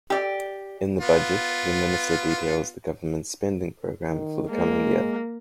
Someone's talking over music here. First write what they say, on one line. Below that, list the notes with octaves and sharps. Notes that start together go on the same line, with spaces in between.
In the budget the Minister details the Government's spending programme for the coming year.
G4 D5
B3 F4
D#3
G#3 A#3